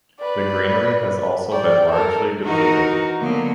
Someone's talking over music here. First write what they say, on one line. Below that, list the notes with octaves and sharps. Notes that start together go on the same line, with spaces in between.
The greenery has also been largely depleted.
B4 D5
D5 G5
A4 A#4
E3 D#4 F#4 A#4
D3 F#3 A#3 B3